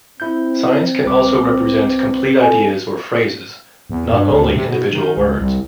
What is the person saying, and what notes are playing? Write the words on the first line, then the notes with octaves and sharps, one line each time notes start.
Signs can also represent complete ideas or phrases, not only individual words.
C4 E4 G6
C2 B4 D6
A4 G#5
E2
G2
D2
C3
B2
D#3
C#2
C2